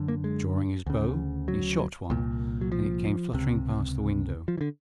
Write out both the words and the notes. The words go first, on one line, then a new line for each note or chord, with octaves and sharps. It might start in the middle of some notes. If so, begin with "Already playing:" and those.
Drawing his bow, he shot one, and it came fluttering past the window.
Already playing: F#2 D3
A#3
G#3
D2 C#3
F#3
C2 A#2
F#3
F3
C#2 C3
F3
E3
D3